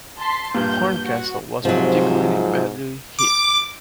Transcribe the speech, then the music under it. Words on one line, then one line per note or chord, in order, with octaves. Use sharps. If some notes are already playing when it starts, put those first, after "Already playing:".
Horncastle was particularly badly hit.
A5 C6 B6
G2 A#2 G6
F#4
G#2 C3 F3 F#3
D6